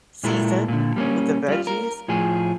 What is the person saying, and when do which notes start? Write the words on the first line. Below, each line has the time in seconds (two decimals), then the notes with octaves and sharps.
seasoned with the veggies.
0.23 A#2 G#3 E4 A4 A#4
0.68 A#2 D3
0.96 G3 A#3 C#4
1.48 G3 F4
1.67 A#4
2.08 A2 F3 G#4